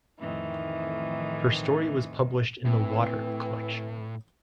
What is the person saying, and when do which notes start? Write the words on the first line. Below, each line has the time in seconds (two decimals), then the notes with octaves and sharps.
Her story was published in the 'Water' collection.
0.20 F2 A2 D#3 E3
2.65 A2 E3 C4